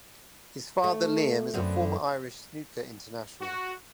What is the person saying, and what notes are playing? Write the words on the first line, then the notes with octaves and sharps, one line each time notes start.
His father Liam is a former Irish snooker international.
A3
F#2 D3 B3 C4
F#4